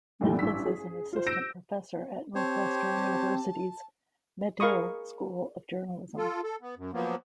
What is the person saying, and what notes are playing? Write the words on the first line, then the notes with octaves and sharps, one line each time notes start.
Mathis is an assistant professor at Northwestern University's Medill School of Journalism.
F#2 A#2 D#3 E3 G3 A3
A1 G2 E6 B6
G#4
F4 C5
E6 G6 A#6 D7 E7
C4 G4 C5 C#5 A5
G#4 A#4 F5 B5 C#6 D#6
F4 A4
A4
B3
F#2
F3 F#3 A#3 B3